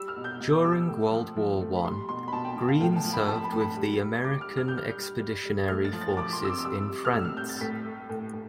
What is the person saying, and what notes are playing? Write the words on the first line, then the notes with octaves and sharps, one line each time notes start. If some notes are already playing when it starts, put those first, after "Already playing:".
During World War One, Green served with the American Expeditionary Forces in France.
Already playing: G3 E6
F6
B2
G6
B2
D6
G3 E6
A2
F3
F3
A3
B5
G3 C6
B2 C6
B5
B2 A5
G5
B2
F5
A2 G5
A5
F3
B5
A2 A5
B5
A2
B5
G3
G3
G3 D6
F6
G3
F6
G6
G3 F6
G3
G3
G3
A3 F6
A6
F3
A6
F3 D6
C6
C3 E6
D6
G3 E6
G3
F6
A2 E6
F6
G3 G6
A6
A2 B6
A3
A2
A2